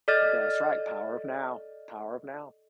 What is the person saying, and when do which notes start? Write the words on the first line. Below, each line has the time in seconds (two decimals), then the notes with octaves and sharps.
That's right, Power of Now, Power of Now.
0.08 A4 D5 D#5 F6 A6